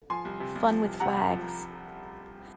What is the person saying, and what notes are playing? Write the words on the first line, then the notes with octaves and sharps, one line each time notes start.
Fun with flags.
F3 G#5 C6
C2
C3
C2
F3
C2
C3 F#5 A#5
C2
F3